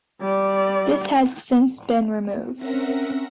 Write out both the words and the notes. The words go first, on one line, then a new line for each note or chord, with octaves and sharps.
This has since been removed.
G3 D5
C4 C#4 A#4 E5 F#5 A#6